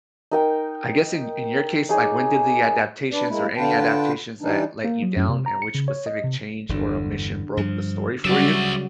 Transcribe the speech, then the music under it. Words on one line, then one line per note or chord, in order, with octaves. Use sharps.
I guess in in your case, like, when did the adaptations, or any adaptations that let you down, and which specific change or omission broke the story for you?
D#4 A#4 G5
D#4 G#4 C#5 D6
D4 B4 D5
G#3 A#3 E4
D3 D4 F4 B4 G5 A5
E3 G3 D4 D#4
A#3
F#3
F#2
C3
A#5
C#7
C#3
C#5
D#5
C3
G1 E2 D3
G2 F3
C#3 F#3 G3 F#4 D5 E5